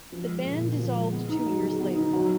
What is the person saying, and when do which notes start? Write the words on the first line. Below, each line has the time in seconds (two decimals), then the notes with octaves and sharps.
The band dissolved two years later.
0.12 F3
0.28 G#3
0.45 A#2
0.62 A#2
0.79 F3
0.95 G#3
1.12 B3
1.29 D#4
1.46 F#3
1.62 G#4
1.80 B3
1.95 D#4
2.13 F#3